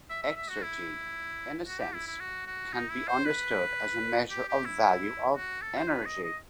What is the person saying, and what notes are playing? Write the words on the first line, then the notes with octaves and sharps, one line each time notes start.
Exergy in a sense can be understood as a measure of value of energy.
E5
E5
E5
F#4
E4
F#4
G4
E4
E4
F#4
F#4
D#4
E4
C5
B4
G4
G4
E4
F#4
A4
C5
B4
D#5
D#5